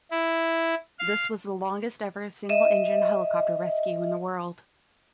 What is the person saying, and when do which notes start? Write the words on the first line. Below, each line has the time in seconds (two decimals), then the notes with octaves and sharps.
This was the longest ever single-engine helicopter rescue in the world.
0.11 E4
0.99 F5
2.49 D#5 E5